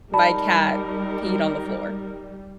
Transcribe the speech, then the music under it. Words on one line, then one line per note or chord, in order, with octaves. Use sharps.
my cat peed on the floor.
G3 D#4 A#4 D5 A5 B5